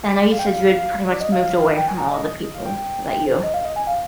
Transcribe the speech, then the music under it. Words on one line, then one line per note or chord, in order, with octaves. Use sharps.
I know you had said you pretty much moved away from all the people that you
D5
F5
G5
F5
D5
D#5
F5
G5
G#5
A#5
D#5
D#5
F5
G5
G5
G5
C5
D#5
F5
D#5
G#5
F5